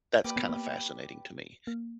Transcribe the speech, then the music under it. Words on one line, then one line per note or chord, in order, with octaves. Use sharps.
that's kind of fascinating to me.
A#3 G4 B4 D5
B3
A#3
A#3